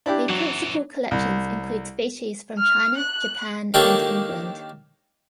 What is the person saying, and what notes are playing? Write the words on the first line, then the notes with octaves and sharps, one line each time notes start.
The principal collections include species from China, Japan, and England.
D4 E4 G4
F#2 E3 F#3
C2
F6
F#6
D#3 A#3 D4 G4 A4 C#5